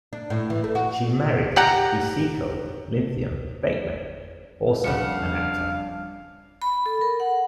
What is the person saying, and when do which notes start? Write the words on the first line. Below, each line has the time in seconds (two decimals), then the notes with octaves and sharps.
She married Hezekiah Linthicum Bateman, also an actor.
0.13 D4
0.30 A2
0.50 E3
0.64 A3
0.75 F#4
1.56 G4 F#5 A#5
4.84 F2 C#3 G3 D4 F5 F#5 C#7
6.62 B5
6.86 A4
7.01 A#4
7.20 F#5